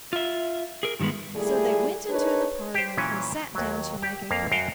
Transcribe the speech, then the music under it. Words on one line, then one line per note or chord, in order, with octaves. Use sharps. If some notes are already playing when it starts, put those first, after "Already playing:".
So they went into the parlor, and sat down to make a book.
F4 E5
G#4 A#4
G2 D#3 F#3 G#3 B3
A#2 G3 A3 E4 G#4
D4 D#4 G#4 A#4 B4 C#5
G4 C5
A#2 E3 F#3 C#4
D#2 F#3
G4
F2 A#3 F5
F#2 F#4 F5 G5